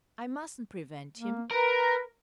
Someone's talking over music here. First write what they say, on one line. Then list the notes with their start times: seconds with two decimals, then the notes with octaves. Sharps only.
I mustn't prevent him.
1.17 A#3
1.51 A#4 B4